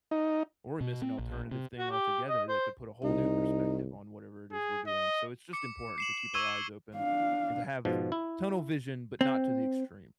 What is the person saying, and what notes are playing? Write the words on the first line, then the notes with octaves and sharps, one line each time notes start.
or miss an alternative thing altogether that could put a whole new perspective on whatever it is we're doing, so it's just important to keep our eyes open and to have tunnel vision, but not to the extreme.
D#4
B2
C4
A#1
C3
F#4
G4
D#5
C5
C2 D#4
G#4
D#5
D6 C#7
C7 E7 F#7
C#6 E6 G#6 D#7 G7
D4 F5
G#2 B2 F3
E4
C4